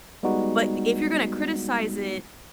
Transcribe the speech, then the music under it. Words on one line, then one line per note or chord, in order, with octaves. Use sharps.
but if you're gonna criticize it,
G3 G#3 B3 D#4 F#4